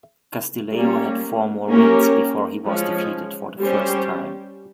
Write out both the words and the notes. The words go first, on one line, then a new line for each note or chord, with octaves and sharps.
Castillejo had four more wins, before he was defeated for the first time.
G3 A#3 C#4
A#3 C#4 G4 A#4
F3 G#3 C#4
G3 C#4 G4 C5